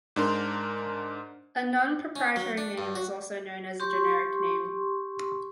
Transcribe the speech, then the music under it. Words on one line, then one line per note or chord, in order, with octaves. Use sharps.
A non-proprietary name is also known as a generic name.
G#2 D4 A#4 C6
C#4
F#3
D4
G2
F#4
G4 C6 C#6